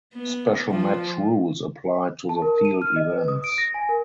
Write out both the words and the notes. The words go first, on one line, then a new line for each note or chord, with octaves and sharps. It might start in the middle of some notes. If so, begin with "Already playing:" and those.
Special match rules applied to the field events.
B3
F3
A5
A#4
D#7
F6
D#5
B4
D#6
D7
A#6
G#5
A#4